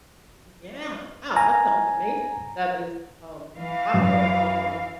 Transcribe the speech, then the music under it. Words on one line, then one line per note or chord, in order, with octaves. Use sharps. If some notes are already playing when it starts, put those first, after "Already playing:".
Yeah. Wow, that sounds amazing. That is, um, wow, what an awesome,
G#5 A#5
E3 F5
F#2